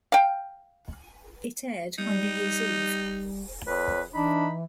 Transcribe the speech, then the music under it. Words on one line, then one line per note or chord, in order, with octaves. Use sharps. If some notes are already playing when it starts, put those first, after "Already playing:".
It aired on New Year's Eve.
F5 G5
G3 D#4
F2 B4 C#5
E3 D4 D#4 B5